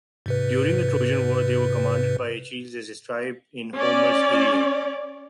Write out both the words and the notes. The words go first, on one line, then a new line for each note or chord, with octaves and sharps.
During the Trojan War, they were commanded by Achilles, as described in Homer's "Iliad".
G#2 C3 B4
C#4 D5